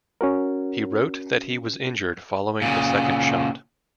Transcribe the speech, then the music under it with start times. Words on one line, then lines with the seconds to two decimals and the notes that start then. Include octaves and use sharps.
He wrote that he was injured following the second shot.
0.21 C#4 F#4 A#4
2.62 A#2 C#3